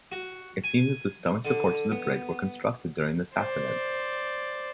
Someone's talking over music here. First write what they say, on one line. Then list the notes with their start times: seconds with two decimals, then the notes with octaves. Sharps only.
It seems that the stone-supports of the bridge were constructed during the Sassanids.
0.12 F#4
0.64 G#5
1.45 D3
1.92 B3
3.35 C5 D5